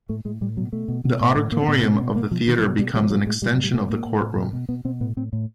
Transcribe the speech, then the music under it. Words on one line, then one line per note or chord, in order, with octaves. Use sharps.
The auditorium of the theatre becomes an extension of the courtroom.
A2 A3
A2 G#3
A2 G3
B2 F#3
B2 A3
B2
B2
A2
A2
A2 A#3
C4
A2 B3
B2 C4
C#4
B2
B2 A#3
B2 F3
B2 D#3
F3
B2
F#3
B2 G3
B2 G3
F3
A2 F#3
A2 G#3
A2 G3
F#3
A2
G3
A2 A3
A2 A#3
A2
A2
B2
B2
B2 B3
B2 C4
A2 B3
A2 C4
A2